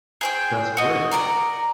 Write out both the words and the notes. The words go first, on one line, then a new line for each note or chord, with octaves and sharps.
That's great.
G#4 C5 G5
F#4 D#5
A#4 D5 A5 A#5